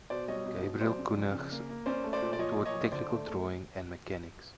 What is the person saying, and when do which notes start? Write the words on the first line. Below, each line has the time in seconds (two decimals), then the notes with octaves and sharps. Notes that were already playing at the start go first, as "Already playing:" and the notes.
Gabriel Koenigs taught technical drawing and mechanics.
0.10 B2 C5 D5
0.28 G3 C#5 D#5
0.46 B2
0.63 B2
0.81 F#3 C5 D5
0.99 C#3
1.16 F2
1.34 C#3
1.52 A#3
1.69 A#3
1.86 C#4 C5 D5
2.04 A3
2.13 C5 D5
2.22 A#2
2.33 D5
2.39 F3 C#5 D#5
2.57 A#2
2.65 C#5 D#5
2.74 F3
2.92 D3 C5 D5
3.10 A3
3.27 A3